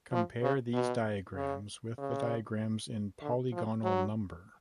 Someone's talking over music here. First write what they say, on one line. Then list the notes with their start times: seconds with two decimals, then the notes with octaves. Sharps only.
Compare these diagrams with the diagrams in Polygonal number.
0.12 F3
0.43 C#3
0.73 B2
1.35 C#3
1.98 C#3
3.22 D3
3.53 F3
3.84 F#3